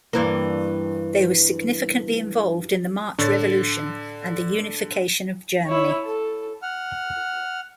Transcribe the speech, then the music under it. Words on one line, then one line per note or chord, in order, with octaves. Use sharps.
They were significantly involved in the March Revolution and the unification of Germany.
G2 E3 A#3
A2 D3 C#5 A6
E4 C#5
A4
F#5 F6